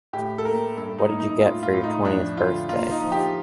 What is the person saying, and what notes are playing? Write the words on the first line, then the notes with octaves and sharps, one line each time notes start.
What did you get for your twentieth birthday?
A2 G4
A4
A#3 A#4
G2 A4
D#4
A#3
D#4
A2 F4
F4
A2
D#4
F2 D4
D3 F4
A#3 F4
D#4
F3
G4